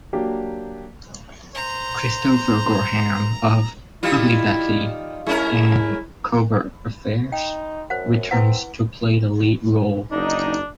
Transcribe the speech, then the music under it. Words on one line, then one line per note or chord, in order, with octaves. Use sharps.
Christopher Gorham of "Ugly Betty" and "Covert Affairs" returns to play the lead role.
F#3 A#3 D4 G4
C5 A#5
D#3 G3 E4 F4
G#3 C#4 E4 A#4
D#4 G5
F#2 C5 F#5
C4 E4 B4 F#5
F#1 D4 D#4